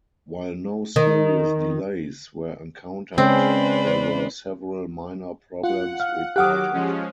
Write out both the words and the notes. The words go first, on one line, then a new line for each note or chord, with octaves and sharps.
While no serious delays were encountered, there were several minor problems reported.
D#3
C#3 G#3 C4 C#4 B4 C5 D5
F4 F#5
F5 F6
D#2 F#3 G4 F#5 D6 D#6 F6 F#6
F3 G#3 C#4